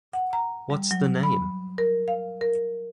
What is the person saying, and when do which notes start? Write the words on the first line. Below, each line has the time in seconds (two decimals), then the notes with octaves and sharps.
What's the name?
0.13 F#5
0.33 A#5
0.70 G3
0.91 F#3
1.23 B5
1.78 A#4
2.08 F5
2.41 A#4